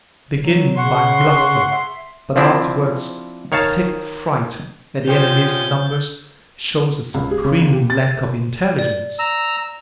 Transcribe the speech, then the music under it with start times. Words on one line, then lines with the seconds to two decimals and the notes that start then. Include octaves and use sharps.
To begin by bluster, but afterwards to take fright at the enemy's numbers, shows a supreme lack of intelligence.
0.40 F#3
0.77 C#3 F#5 C6 C#6
1.71 E5
2.36 F3 C4 D4 E4
3.52 D#3 C#5 F5 A5
5.07 D3 F3 C#4 G4 C5 G6 A6
7.14 C#2
7.31 G#4
7.44 C#3
7.61 E2
7.72 G4
7.90 A6
8.79 D5
9.19 A#5 E6